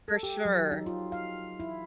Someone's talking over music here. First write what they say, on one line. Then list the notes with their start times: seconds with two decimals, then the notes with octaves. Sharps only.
For sure.
0.08 A4
0.23 G4
0.45 F#3
0.71 D#4
0.86 F4
1.12 F5
1.60 E4